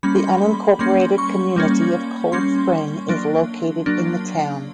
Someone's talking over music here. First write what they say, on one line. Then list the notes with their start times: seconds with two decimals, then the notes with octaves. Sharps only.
The unincorporated community of Cold Spring is located in the town.
0.03 G3 A#3 C#4 B5
0.15 C6
0.27 B5
0.41 B5
0.79 G3 A#3 C#4 C6
1.18 C#6
1.56 G3 A#3 C#4
2.32 G3 A#3 C#4 C6
3.09 F#3 A#3 D4
3.86 F#3 A#3 D4